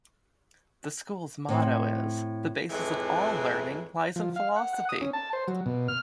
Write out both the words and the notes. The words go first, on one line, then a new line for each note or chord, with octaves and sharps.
The school's motto is "The basis of all learning lies in philosophy".
A2 C4
F2 A2 E3 G#3
F3
F5
F#5
F#5
D#6
C#4
A5
C5
F#3
B2
F6